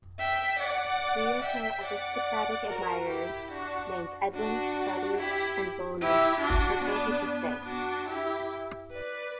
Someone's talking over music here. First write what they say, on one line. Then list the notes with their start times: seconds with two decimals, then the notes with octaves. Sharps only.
Three of her aristocratic admirers, named Edwin, Feri and Boni, prefer her to stay.
0.18 E5 G5
0.59 D5 F#5
1.42 E5 G5
1.84 D5 F#5
2.67 F#4 A#4
3.09 E4 G4
3.50 D4 F#4
4.34 D4 F#4
5.16 E4 G4
6.00 E4 G4
6.42 D4 F#4
6.83 B3 D4
7.25 B3
7.66 D4 F#4
8.08 E4 G4
8.91 B4 D5